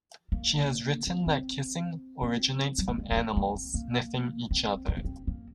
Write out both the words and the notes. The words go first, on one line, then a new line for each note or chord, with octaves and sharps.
She has written that kissing originates from animals sniffing each other.
A#3
C4
C4
C4
F#3
G#3
A#3
C4
A#3
A#3
C4
A#3
C4
C4
A#3
C4
A#3